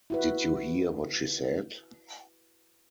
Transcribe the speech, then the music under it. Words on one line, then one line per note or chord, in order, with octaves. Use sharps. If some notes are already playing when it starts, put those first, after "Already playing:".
Did you hear what she said?
E4 F#4 B4